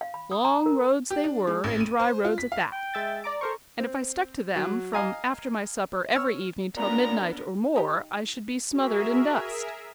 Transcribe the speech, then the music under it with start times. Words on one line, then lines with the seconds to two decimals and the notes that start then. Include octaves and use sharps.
"Long roads they were, and dry roads at that, and if I stuck to them from after my supper every evening till midnight or more I should be smothered in dust."
0.01 F5
0.14 B5
0.31 D#6
0.44 A#5
0.66 A#4
1.11 G4
1.24 D4
1.47 G#3
1.64 A1
1.80 D#7
1.99 C5
2.25 F4
2.38 B6
2.52 F5
2.73 G5
2.94 G#3 E5 A6
3.24 D5 A#5 D6
3.41 A4 A#4 C5 C#6
3.79 C4
4.56 F#3
4.93 D#5 F5 G#5 A#5
6.16 C#5 E6 F6
6.77 A#2 B3 C#4 D4 A4 A#4 A#5
7.76 D#4 G4 A#5
8.71 F#4 G#4 A#4 E5